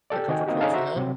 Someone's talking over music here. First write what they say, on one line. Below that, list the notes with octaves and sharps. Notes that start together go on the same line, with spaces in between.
the comfort films we had.
G4 A4 D5
D#3 F#4 D#5 G5 G#5
A#3 C4 D#4 F#4 G4
C#4 D#4 G#4 A4 F5 A5
F#4 C5 E5 A#5
C3 F#3 C4